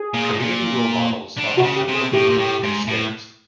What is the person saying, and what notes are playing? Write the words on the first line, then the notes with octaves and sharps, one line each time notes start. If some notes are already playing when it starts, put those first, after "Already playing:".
Community role models are often overlooked and scarce.
Already playing: G#4
A#2
A2
A#2
D3
C3 F#4
C#3
G4
C3
G#4
A2 G4
A#2
A2
G#2
A2